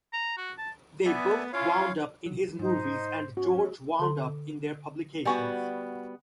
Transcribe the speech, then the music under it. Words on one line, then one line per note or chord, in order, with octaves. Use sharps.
They both wound up in his movies and George wound up in their publications.
A#5
F#4
A5
B3 D5 E5 G#5
C#4 E4 F4 C#5 F5
F#3
G#2 D#4 C5
C#4 F#4
D3 A4 C6
G3 B3 F#4 G5 G#5 C#6